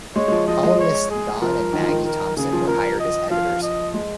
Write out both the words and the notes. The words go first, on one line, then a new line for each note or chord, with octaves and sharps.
Columnists Don and Maggie Thompson were hired as editors.
G#3 C#5
G#3
F3
F3 D#5
G#3
C#5
G#4
F3 A#4
D#3
F3
D#3
A#4
C#3 G#4
F3
F3 A#4
D#5
F3 F5
D#5
G#3